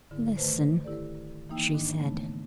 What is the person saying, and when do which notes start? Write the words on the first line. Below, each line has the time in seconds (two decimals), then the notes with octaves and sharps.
"Listen," she said.
0.11 G#2 D3 E4
0.37 D#3 A3 B4 C5
0.84 E4 G4 A4 D5
1.49 E3 A#3 D#4 G5 E6
1.74 G#2 D#3 D4 D#4
1.98 C#3 A3 B3